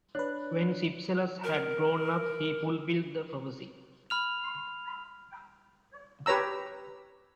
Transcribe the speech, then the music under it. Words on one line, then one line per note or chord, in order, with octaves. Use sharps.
When Cypselus had grown up, he fulfilled the prophecy.
D4 B4 C#5 F#6
A#4
B5 F6 F7
G4 B4 C#5 A#5 E6